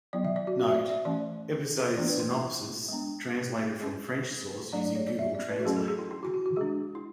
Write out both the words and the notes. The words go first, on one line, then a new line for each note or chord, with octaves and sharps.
Note: Episode synopsizes translated from French source using google translate.
F#3 B3 E4 D5
E5
D5
F#4
F#4
E5
D5
E5
E3 A3 C#4 D5
E3 B3 D4 D5
B4
E4
E4
G#3 B3 D4
G#3 C#4 E4 G#4
F#3 A3 D4 D5
D5
C#5
D5
E5
D5
B4
F#4
F#3 A3 C#4 E4 G#4
A4
G#4
E4
E4
F#4
F#4
F#4
G#3 D4 G#4
E4